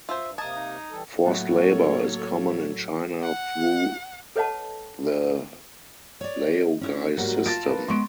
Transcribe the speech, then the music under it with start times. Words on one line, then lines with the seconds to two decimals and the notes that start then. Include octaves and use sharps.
Forced labor is common in China through the laogai system.
0.09 F#2 F4 C5 E5
0.23 G2
0.38 C3 A#3 D#5 A5 A#5 D#6 G#6
0.56 D#4
0.91 E3 G3 A4
1.25 A2 F#3 A#3 A4 C#5
3.23 F#5
4.36 A4 B4 C#5 D#5 F#5 A5
6.21 C#5 D5
6.81 C#4 E4
7.17 G#2 F#3 G3 A#3 F#4
7.46 F4 A5 A6 A#6 D7
7.65 A#4 B4
7.88 G#3 B3 C6 C#6 D7